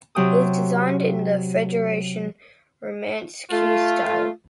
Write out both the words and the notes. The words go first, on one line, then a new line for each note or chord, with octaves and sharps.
It was designed in the Federation Romanesque style.
C3 F#3 G5 D#6
A3 F4